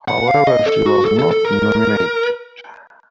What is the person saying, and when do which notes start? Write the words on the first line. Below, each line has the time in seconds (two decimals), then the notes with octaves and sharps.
However, she was not nominated.
0.08 F#5
0.28 F5
0.47 D#5
0.66 A4
0.86 F#4
1.05 A4
1.19 A4
1.31 A4
1.45 A#4